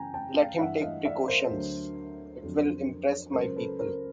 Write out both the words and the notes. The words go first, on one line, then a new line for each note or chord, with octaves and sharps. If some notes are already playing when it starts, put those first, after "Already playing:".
Let him take precautions; it will impress my people.
Already playing: F#2 C#3 E3 G5 G#5 A#5
G5 A5
F5 G5
G2 E3 E5 F#5
D#5 F5
D5 E5
A#4 C5
D2 D3 F#3
F2 D3 F#3
C#2 C#3 F#3 A#4 C5
A4 B4
A#4 C5